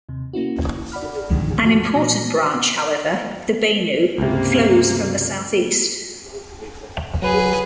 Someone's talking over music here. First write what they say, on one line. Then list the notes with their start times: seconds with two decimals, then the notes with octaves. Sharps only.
An important branch, however - the Benue-flows from the southeast.
0.09 D#2 C3
0.33 A#3 C#4 E4 F#4
0.92 D5 F#5 B5 F6
1.30 G2 B2 D3 D#3 F3 G#3
1.63 G2 F3 A3 F#4 A5
1.96 A#2 E3 F#4 A#6
4.18 C#2 G2 C3 G#3 A#3
7.22 F#3 G#4 B4